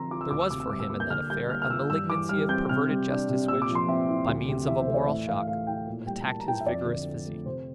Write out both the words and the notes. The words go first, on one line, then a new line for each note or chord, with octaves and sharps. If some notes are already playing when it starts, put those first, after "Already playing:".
There was for him in that affair a malignancy of perverted justice which, by means of a moral shock, attacked his vigorous physique.
Already playing: D3 F3 C4 A#5 C6 E6
F4 D6
E6
D2 D6
E6
C3 D6
E6
G3 D6
E6
A#3 D6
G6
D3 F6
G3 G6
A#3 F6
F6
F4 E6
G2 E6
E3 D6
G3 F6
C4 G6
C3 F6
G3
D4
C3
A#2 E6
D6
F3
C6
C4 E5
E4
D2
C3
E3 E5
C5
A3
D5
A2 E5
E3 F5
A3 F5
E4 G5
A#2
G3 G5
A#3 A5
A#5
E4 G5
A5
E5
F2 D5
D3
F3
A3
C3 C5